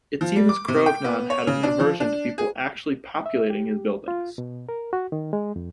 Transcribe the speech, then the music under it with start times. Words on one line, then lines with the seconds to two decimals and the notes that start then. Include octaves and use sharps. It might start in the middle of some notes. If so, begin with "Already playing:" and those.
It seems Kroagnon had an aversion to people actually populating his buildings.
0.21 F3
0.36 G3
0.49 D6
0.68 C3
0.86 G5
1.04 B3
1.30 C#5
1.47 C#3
1.63 D4
1.80 F3
2.00 D4
2.38 G#4
3.26 E5
3.50 G4
4.08 F4
4.38 B2
4.69 A#4
4.93 F#4
5.12 D#3
5.33 G#3
5.56 F2